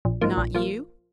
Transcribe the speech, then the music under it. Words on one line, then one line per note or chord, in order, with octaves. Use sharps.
"Not you?"
A#1
G#2 F3 A#3
A#1
F3 A#3